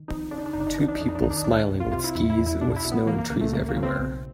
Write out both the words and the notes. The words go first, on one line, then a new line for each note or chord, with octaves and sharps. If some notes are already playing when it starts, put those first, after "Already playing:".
Two people smiling with skis with snow and trees everywhere.
Already playing: D#3
F2 D#4
C#3 D4
D#4
D4
G1 D#4
D4
D#4
D4
E3 D#4
D4
D#4
F2 D4
D#4
D4
D#3 D#4
D4
D#4
C2 D4
C2
F4
C3 F4
E4
E2 E4
E4
E2
E4
B2 D4
E4
B2
B3
E3 A#3
A#3
C#2 A#3
A3
C#2 A#3
A#3
C#3
C4
B1